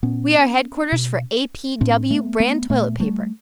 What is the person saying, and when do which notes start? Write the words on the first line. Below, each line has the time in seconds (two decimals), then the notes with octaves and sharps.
We are headquarters for A. P. W. Brand Toilet Paper.
0.03 A#2 B3 C#4
0.92 B2
1.81 A2 C4 D4
2.10 A3 B3
2.40 A3 B3
2.70 A#2 A3 B3
3.00 G3 A3